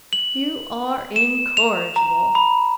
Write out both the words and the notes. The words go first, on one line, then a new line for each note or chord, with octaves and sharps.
"You are incorrigible!"
F#7
E7
F7
A#5
B5